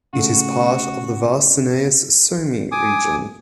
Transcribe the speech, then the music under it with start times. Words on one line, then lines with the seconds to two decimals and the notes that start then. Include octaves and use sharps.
It is part of the Varsinais-Suomi region.
0.13 C#3 A3 F#4
2.72 G#5 D6 D#6